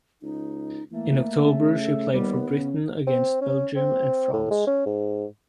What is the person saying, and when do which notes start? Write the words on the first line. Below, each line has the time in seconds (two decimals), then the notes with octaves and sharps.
In October she played for Britain against Belgium and France.
0.22 C#2 D#4
0.91 E3 A3 A#3
1.38 C#3
1.80 A4
2.13 D#2 G3 B3
2.53 C#3 C#4
3.07 C4
3.41 C#4
3.76 C4
4.33 A2
4.51 G#3
4.67 C#4
4.86 G#2